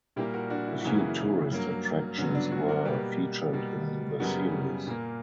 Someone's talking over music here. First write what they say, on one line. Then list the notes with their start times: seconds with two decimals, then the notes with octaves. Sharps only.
A few tourist attractions were featured in the series.
0.16 A#2 G3 A#3 E4 G4
0.34 F#4 A#4
0.50 D4 F#4
0.68 E4
0.81 F#2 C#3 E3 A#3 F#4
0.95 C#4 E4
1.51 G2 F#3 A#3
2.18 G2 D3 F#3 B3 C#4
2.35 D4
2.52 D4 F#4
2.69 F#4 A#4
2.85 B2 G3 A#3 G4 B4
3.53 B2 G3 A#3
4.20 F#2 C#3 G3 B3 F#4 A#4
4.87 A#2 A#3